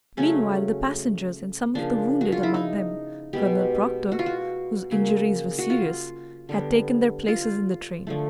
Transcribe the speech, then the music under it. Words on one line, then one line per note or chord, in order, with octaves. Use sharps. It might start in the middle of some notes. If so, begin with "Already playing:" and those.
Meanwhile the passengers and some of the wounded, among them Colonel Proctor, whose injuries were serious, had taken their places in the train.
C#3 F#3 A3 C#4
C#3 F3 A#3 D4
F#4
F4
E4
D#4
B2 G#3 B3 G4
F#4
F4
F#4
C#3 F#3 A#3
F#4
F4
D3 G3 B3
F4
D3 F3 A3